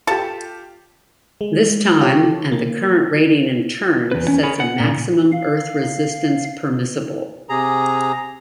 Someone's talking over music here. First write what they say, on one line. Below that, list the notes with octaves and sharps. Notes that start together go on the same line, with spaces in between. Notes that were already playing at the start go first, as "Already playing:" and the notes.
This time and the current rating in turn sets a maximum earth resistance permissible.
F4 G4 A4 A5
G#3
F4 G4 A4 C#5
A#3
E2 B4
C#4
G#4 A#4 C#5 G#5 B5
F#5
A#2 C#3
F5
C3 G#4 A#5